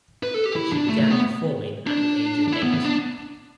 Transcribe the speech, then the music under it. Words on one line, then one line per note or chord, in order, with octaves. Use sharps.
She began performing at the age of eight.
B4
A4
G4
E4
D4
A3
A3
B3
D4
D4
E4
B3
B3
D4